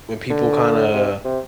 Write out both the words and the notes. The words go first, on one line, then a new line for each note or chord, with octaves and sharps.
when people kinda
D3
C3
C3